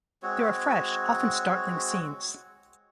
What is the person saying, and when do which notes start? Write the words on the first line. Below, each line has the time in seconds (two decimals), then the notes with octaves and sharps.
There are fresh, often startling scenes.
0.23 G#3 C4 F#4 C#5